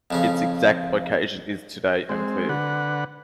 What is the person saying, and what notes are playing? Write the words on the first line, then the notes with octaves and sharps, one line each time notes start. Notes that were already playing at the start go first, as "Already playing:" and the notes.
Its exact location is today unclear.
F2 C#3 C#4
G#3 C4
D3 B4 F#5